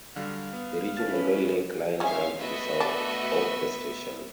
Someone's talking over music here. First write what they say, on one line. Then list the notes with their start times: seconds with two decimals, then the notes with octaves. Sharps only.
The Regional Rail Link lines run to the south of the station.
0.16 D3 F#3 G3 F5
0.53 B3
0.97 C#4 E4 B4 A5 F6 A6
2.00 G#3 C#4 C#5 E5 F5
2.39 A3 B3 F#4 D#5 E5
2.81 D4